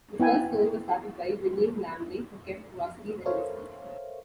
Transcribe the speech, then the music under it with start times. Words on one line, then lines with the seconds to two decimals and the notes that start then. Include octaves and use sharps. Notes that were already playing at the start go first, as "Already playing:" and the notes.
The first store was started by William Lamley, who kept groceries and whisky.
0.20 B3 E4 G5 G#5
3.25 A4 A#4 C5 C#5 E5 F5